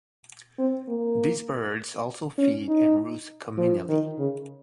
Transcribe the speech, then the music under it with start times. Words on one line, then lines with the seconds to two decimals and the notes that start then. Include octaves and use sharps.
These birds also feed and roost communally.
0.58 C4
0.88 A#3
2.38 C#4
2.68 D#4
3.58 F3
3.89 D#3
4.18 C#3